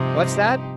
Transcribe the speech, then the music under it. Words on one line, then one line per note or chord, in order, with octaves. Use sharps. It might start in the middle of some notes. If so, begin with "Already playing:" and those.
"What's that?"
Already playing: G2 C3 F3 C4 D#4 G4